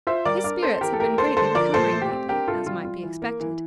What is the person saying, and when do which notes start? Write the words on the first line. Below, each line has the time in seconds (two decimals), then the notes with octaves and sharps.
His spirits had been greatly recovering lately as might be expected.
0.07 F4 C5 E5
0.25 G3 A#4 D5
0.44 D4 A#4 D5
0.62 C4 A4 C5
0.81 E3 G4 A#4
0.93 A4
1.00 A3 G4 A#4
1.18 A#3 A4 C5
1.37 D3 A4 C5
1.55 F3 A#4 D5
1.74 A#2 A4 C5
1.93 A3
2.02 G4
2.11 C4
2.29 D4 G4 A#4
2.48 C3 F4 A4
2.66 G3 F4
2.85 F4
3.03 E3
3.22 A#3
3.40 E3